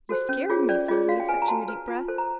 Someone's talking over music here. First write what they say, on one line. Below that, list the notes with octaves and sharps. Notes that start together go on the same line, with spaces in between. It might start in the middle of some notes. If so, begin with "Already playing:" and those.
"You scared me!" said he, fetching a deep breath.
F#4 A4 C5
C#4
F4 G#4 C#5
C#4 D5
F4 G#4 C#5 D#5
F#4 F5
G5
B4 G#5
A#5
F#4 A5
B4
F4
A4 C5
A#5